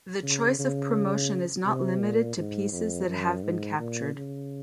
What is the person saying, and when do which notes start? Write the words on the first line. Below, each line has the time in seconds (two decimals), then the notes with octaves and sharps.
The choice of promotion is not limited to pieces that have been captured.
0.23 C#3
0.59 C#3
1.65 C3
2.00 A#2
2.37 G#2
2.72 F2
3.08 F#2
3.43 G#2
3.79 A#2
4.15 C#3